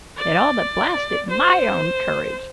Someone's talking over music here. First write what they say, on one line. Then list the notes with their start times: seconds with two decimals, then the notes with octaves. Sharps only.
It all but blasted my own courage.
0.17 D5
1.31 C5